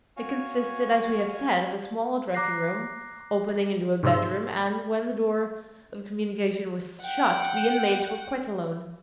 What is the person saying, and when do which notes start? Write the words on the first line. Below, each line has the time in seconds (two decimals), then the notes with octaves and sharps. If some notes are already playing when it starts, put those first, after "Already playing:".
It consisted, as we have said, of a small dressing-room, opening into a bedroom, and, when the door of communication was shut, the inmates were quite alone.
0.17 F#4 C#5 F5 G#5
2.34 A#5 D6 F#6 A#6 C7
4.03 G#2 C3 C6 E6
7.02 F#5 G5